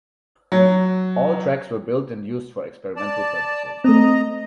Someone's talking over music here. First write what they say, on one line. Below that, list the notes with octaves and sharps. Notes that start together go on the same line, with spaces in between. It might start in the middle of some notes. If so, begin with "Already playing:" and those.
All tracks were built and used for experimental purposes.
F#3
D5 A5
A3 C4 D#5 A#5